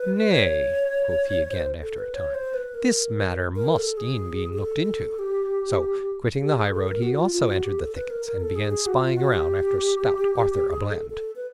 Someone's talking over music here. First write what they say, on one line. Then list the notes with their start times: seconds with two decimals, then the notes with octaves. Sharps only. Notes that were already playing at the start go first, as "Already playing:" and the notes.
"Nay," quoth he again, after a time, "this matter must e'en be looked into." So, quitting the highroad, he also entered the thickets, and began spying around after stout Arthur a Bland.
Already playing: B4
0.30 C#5
1.52 C5
1.82 A4
1.99 B4
2.14 C#5
2.34 C5
2.54 B4
2.74 A#4
3.56 A#4
3.77 A4
3.97 G#4
4.53 G#4
4.58 A4
5.19 G4
6.41 G4
6.56 G#4
6.72 A4
6.88 A#4
7.02 F#4
7.18 F4
7.33 F4
7.48 F#4
7.63 G4
7.78 A4
7.95 B4
8.10 A#4
8.25 A#4
8.40 A4
8.55 G#4
8.70 G#4
8.86 F#4
9.02 F4
9.16 F#4
9.32 G4
10.70 G#4
10.91 A4
11.10 A4
11.36 B4